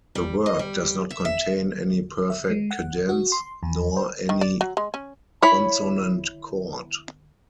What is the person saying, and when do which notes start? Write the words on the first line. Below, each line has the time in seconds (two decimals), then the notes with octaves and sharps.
The work does not contain any perfect cadence, nor any consonant chord.
0.15 G3
0.46 D#5
0.59 G3
1.10 E5
1.25 E5
2.30 E5
2.50 G#3
2.71 F#5
3.09 F#4
3.32 C6
3.63 E2
3.97 C5
4.29 D#3
4.41 D5
4.61 F#3
4.77 G#3
4.94 C#4
5.42 E4 C#5 B5